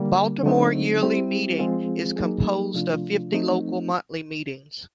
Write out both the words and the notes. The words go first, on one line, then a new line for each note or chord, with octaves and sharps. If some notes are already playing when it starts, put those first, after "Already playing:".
Baltimore Yearly Meeting is composed of fifty local Monthly Meetings.
Already playing: D3 G3 A#3
D3 F#3 A3 C4 D#4
G3 C4 E4 G4
F3 G#3 C4 F4 G#4
F#3 A#3 D#4 G#4
C3 F3 A3 D4 F4
F3 A3 C4 D#4